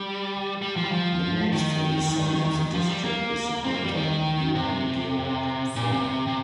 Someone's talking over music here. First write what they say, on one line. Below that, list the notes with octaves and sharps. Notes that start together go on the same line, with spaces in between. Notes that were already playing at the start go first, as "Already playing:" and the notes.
The most famous son of the district is the painter Johann Georg Pforr.
Already playing: G3
G3
F3
G3
F3
D#3
F3
G3
A#3
C4
A#3
G3
D#3
C3
A#2
C3
C3